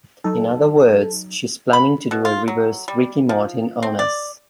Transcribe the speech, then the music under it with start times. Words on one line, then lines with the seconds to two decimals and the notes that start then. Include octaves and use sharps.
In other words, she's planning to do a reverse Ricky Martin on us.
0.24 F#3 D#4 A4
1.73 B5
2.11 B2
2.25 F4
2.48 F#3
2.88 G3
3.29 F3
3.83 C4
3.99 D5